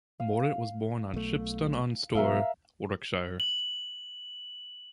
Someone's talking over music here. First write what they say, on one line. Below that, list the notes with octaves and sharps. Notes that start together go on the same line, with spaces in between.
Morant was born in Shipston-on-Stour, Warwickshire.
F5
B1 A3
G#2 B2 F#3 A#4 E5 F5
F#7